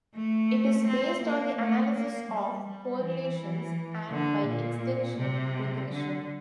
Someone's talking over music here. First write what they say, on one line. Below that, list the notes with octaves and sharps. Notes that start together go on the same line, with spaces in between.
It is based on the analysis of correlations and, by extension, regression.
A3
C4
A#3
A3
A#3
G3
G3
E3
D3
A#2
C3
D3